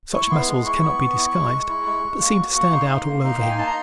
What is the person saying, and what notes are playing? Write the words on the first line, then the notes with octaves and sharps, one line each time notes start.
Such muscles can not be disguised but seem to stand out all over him.
E4 C#6
B3 C6
G#3 C6
E4 C#6
B3
B3
E4
G#3
G#3
E4
G#3
G#3
A#3
F#4
A#3
D#4 C6
A#3
A#3
D#4
A#3 G5
G#5
D#4 A5
A#5